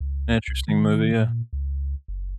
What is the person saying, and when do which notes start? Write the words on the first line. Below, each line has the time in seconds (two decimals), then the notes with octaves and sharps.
Interesting movie, yeah.
0.01 C#2
0.48 C2
0.68 D#3
1.12 A#2
1.53 C#2
2.08 F#1